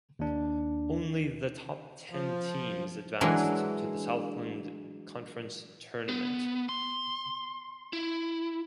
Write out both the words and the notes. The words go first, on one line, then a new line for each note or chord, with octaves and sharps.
Only the top ten teams advanced to the Southland Conference Tournament.
D#2 D4
F3
E3 F#3 G#3 D4 A#4
B3
C6
E4